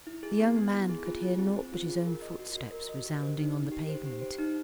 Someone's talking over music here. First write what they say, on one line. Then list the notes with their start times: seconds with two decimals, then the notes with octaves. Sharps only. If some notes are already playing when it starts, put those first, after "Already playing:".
The young man could hear naught but his own footsteps resounding on the pavement.
0.07 E4
0.23 G#4
0.40 B3
0.56 B3
0.73 E4
0.89 G#4
1.06 F4
1.23 G#4
1.39 C4
1.56 C5
1.73 F4
1.89 G#4
2.06 A#4
2.22 D#5
2.39 F#4
2.56 F#4
2.72 A#4
2.89 D#5
3.06 G4
3.22 C5
3.38 D#4
3.56 D#4
3.72 G4
3.89 C5
4.06 G4
4.21 C5
4.38 D#4